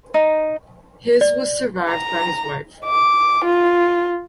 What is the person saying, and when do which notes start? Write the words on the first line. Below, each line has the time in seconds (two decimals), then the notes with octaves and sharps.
His was survived by his wife.
0.14 D#4
1.21 D5
1.89 A#5
2.86 D6
3.44 F4